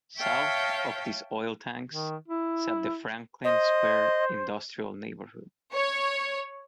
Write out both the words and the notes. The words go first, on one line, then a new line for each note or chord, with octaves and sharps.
South of these oil tanks sat the Franklin Square industrial neighborhood.
C#5 E5 F5 G5 A5
D#3
E4
C5 D#5
C#5